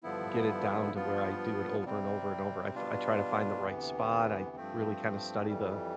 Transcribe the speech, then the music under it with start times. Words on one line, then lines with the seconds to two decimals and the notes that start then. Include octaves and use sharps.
get it down to where I do it over, and over, and over, I f I try to find the right spot. I really kind of study the
0.03 G2 D3 F3 B3 E4
0.94 G2 F3 B3 F4
1.84 C3 G3 C4
2.75 B2 G3 D4 F4
3.65 D2 C3 E3 B3
4.56 G2 F3 A3 C4
5.47 F2 E3 G3